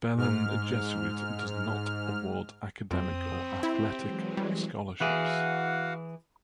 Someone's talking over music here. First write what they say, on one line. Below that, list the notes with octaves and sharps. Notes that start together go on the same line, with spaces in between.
Belen Jesuit does not award academic or athletic scholarships.
G#2 F6
F2 C4 D#6
B5 C#6
E4 G4
E3 F#3 G#3
G3
E3 E4 F#4 G#4 F5 F#5